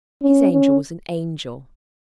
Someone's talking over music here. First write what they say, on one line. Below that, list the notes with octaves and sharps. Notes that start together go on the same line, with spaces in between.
His angel was an angel.
C#4
C#4